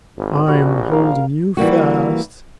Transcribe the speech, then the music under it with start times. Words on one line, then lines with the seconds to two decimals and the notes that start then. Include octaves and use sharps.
"I am holding you fast!"
0.17 G#1
0.47 A#1 G3 F#4
0.92 A#4 F5
1.57 E3 G3 A#3 F#4